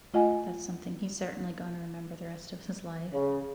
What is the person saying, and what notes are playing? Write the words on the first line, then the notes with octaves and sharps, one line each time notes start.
that's something he's certainly gonna remember the rest of his life,
A3 F4 D#5 F#5 G#5
C#3